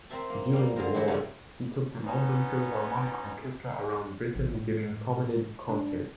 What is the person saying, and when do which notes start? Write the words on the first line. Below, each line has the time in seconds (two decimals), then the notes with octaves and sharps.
During the war, he took the London Philharmonic Orchestra around Britain giving promenade concerts.
0.10 C4 A#4 C5 E5 A5
0.30 A#3
0.53 G3 A#3
0.76 D3 G#4 A#4 C5
0.94 C4 D4 E4 F#4 G4 C5
1.08 C#3 F3 A3 C#4
2.05 B3 C#4 D#4
4.36 A1
4.55 A2
5.69 D4